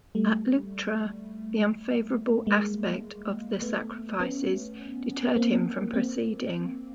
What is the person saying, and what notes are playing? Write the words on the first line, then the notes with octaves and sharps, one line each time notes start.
At Leuctra the unfavourable aspect of the sacrifices deterred him from proceeding.
G3 A3
G#3 A#3
A3 B3
B3 C#4
A#3 C4
A#3 C4